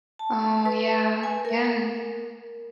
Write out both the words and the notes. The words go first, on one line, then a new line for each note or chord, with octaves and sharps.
Oh, yeah, yeah.
A5
B4
G#5
A#4